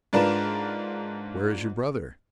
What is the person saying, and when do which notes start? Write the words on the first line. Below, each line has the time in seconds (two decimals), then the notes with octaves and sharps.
"Where is your brother?"
0.13 G#2 D4 F4 A#4 B4 E7